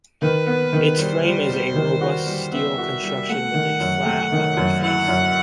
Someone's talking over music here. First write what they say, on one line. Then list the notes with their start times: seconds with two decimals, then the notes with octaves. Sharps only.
Its frame is a robust steel construction with a flat upper face.
0.22 D#3 B4
0.47 B3
0.73 D#3
0.98 G3 C5
1.24 G3
1.50 G3
1.75 D#3
2.01 F#4
2.26 G3
2.52 B3 E5
2.78 F#4
3.03 G3
3.29 A3 F#5
3.54 D#3
3.80 F#2
4.05 A3
4.32 D#3
4.57 F#2
4.83 E4 F#5
5.08 F#2